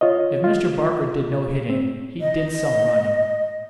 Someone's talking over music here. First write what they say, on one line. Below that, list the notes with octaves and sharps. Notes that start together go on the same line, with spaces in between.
If Mr. Barker did no hitting, he did some running.
F4 C#5 D#5
F4
C4
D#5